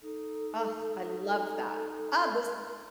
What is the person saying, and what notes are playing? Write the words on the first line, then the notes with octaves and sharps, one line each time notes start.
Ugh, I love that. Oh, this
D#4 A4